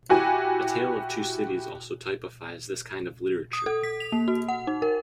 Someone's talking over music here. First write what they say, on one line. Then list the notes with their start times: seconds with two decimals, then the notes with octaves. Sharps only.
"A Tale of Two Cities" also typifies this kind of literature.
0.09 E4 F#4 G4 G#5
3.53 D#6
3.66 A4
3.83 B6
4.00 F7
4.12 A#3
4.28 F#4
4.49 F#5
4.67 D#4
4.82 A#4